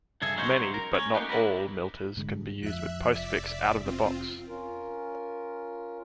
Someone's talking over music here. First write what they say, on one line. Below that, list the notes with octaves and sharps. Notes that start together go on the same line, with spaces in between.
Many, but not all, milters can be used with Postfix "out of the box".
G2 C#3 G#4 A4 E5
F#3 G#3 C#4 D#4 C5 C#5
A#4
C#4
A3 A#3 D#4 F#4 G4
D4 E4 A#4 B4
G#2 D3 G#3
F2 F3 E5 F#6
F1 D5 E5 B6
C4 F4
C#4 F4 A#4